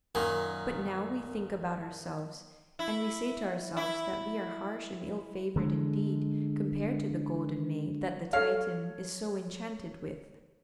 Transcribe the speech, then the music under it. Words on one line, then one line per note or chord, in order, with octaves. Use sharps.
But now we think about ourselves, and we say to ourselves that we are harsh and ill-favored indeed compared to the Golden Maid that the Titan is so enchanted with.
F#2 A#2 D#3
E4
E4
D3 G#3
A4 C#5 F5